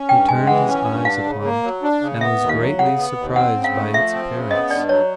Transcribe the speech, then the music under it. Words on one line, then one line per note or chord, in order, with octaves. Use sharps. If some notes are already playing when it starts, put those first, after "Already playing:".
He turned his eyes upon it, and was greatly surprised by its appearance.
Already playing: C#4
G2 G5
G#3 G#5
E3 F#5
C#4
G2
D4 F5
C#3
A#3
F#3
D4
C#3
B3 E5
D#2
F5
F#3
C#3 F#5
B3
D#2
C4 F#5
C#3
F5
A3
F3 E5
C4
C#3
B3 D#5
G2 D5
F#3 C#5